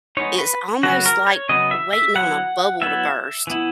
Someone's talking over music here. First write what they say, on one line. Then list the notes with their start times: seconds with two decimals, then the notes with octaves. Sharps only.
it's almost like waiting on a bubble to burst,
0.17 G#3 B3 D#4 C#5
0.39 B4
0.83 C#3 F#3 B3 F#4
1.06 A#4
1.27 C#5
1.49 C#3 F#3 B3 D#5
1.71 E5
1.93 E5
2.16 F#3 B3 E4 F#5
2.81 F#3 B3 E4 E5
3.47 E3 B3 E4